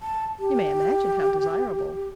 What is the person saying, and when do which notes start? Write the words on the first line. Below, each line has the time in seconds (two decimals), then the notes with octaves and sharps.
You may imagine how desirable!
0.01 A5
0.39 G4